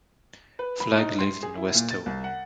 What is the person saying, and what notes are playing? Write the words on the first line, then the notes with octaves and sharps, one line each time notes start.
Flagg lived in Westoe.
B4
B5
D#4
C6
G#4
E4
A#2
A6
C2
F#5